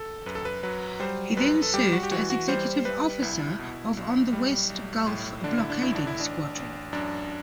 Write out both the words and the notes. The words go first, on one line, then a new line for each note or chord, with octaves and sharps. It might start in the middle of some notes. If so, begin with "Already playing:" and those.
He then served as executive officer of on the West Gulf Blockading Squadron.
Already playing: A4
F#2 B4
A4
B4
F#3 B4
G3 C5
F#2 B4
A4
G3 G4
F#4
G4
E3 F#4
F#4
G3 C5
G3 B4
C2 E4
B2
B1
G3
B1
A2
D3 D4
E4
D4
A1 E4
D4
E4
A1 D4
A1
F#2 D4